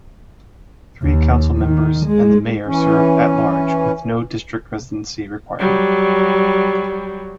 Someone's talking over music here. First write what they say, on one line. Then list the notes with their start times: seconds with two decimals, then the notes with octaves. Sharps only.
Three Council Members and the Mayor serve "At Large" with no district residency requirement.
1.02 D#2
1.59 D#3
2.06 G#3
2.66 E3 C#4
5.59 F#3 G3